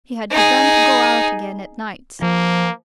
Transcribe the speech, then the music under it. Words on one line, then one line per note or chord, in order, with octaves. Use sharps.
He had begun to go out again at nights.
D#4 G#4
F3 A#3